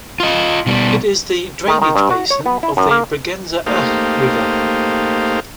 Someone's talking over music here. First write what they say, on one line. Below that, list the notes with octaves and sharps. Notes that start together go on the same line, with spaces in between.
It is the drainage basin of the Bregenzer Ach river.
F4 D#5
B2 G3
D#3
D#3
G2
F#4
C#5
B3
E4
F#2
A#3
A3 A#3 D#4 G4 C5 F5